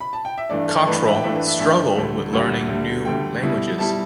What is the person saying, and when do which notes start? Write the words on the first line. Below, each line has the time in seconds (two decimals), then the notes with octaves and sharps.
Cottrell struggled with learning new languages.
0.00 B5
0.13 A5
0.25 G5
0.38 E5
0.50 G2 E3 A3 D4 D5
0.68 A4
0.87 G2 E3 A3 D4 B4
1.05 E5
1.14 G5
1.22 G2 E3 A3 D4 E5
1.35 B4
1.47 E5
1.59 G2 E3 A3 D4 E5
1.96 D2 D3 G3
2.33 D2 D3 G3
2.68 D2 D3 G3
3.05 D2 D3 G3 G5
3.42 B2 G3 E4
3.78 B2 G3 E4 A5